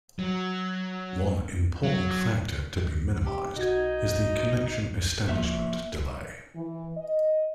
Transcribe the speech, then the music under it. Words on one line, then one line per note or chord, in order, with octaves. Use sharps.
One important factor to be minimized is the connection establishment delay.
F#3
F#3
G4
B1 D#4 F#4 G#6
F3 A#3 E5
E3
D#5